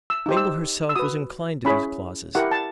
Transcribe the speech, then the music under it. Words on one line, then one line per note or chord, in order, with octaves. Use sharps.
Mabel herself was inclined to these clauses.
E6
D#4 G4 C5
E6
E6
F#4 B4 D#6
C#4 E4 G#4 C#5 B5
E4 G4 A#4 F#5
A5